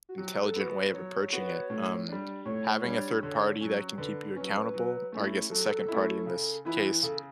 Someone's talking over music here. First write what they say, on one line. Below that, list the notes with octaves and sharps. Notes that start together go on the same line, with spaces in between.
intelligent way of approaching it. Um, having a third party that can keep you accountable, or, I guess, a second party in this case,
F#4
F#3 G4
A4
B3 F#4
F#3 C#5
B3 F#4
A2
G3 D4
A2 C#5
G3 D4
D3
F#3 C#4
D3 B4
F#3 C#4
F#3
A3 C#4 E4
F#3 A4
A3 C#4 E4
C#3
E3 B3 E4 B4
C#3 A4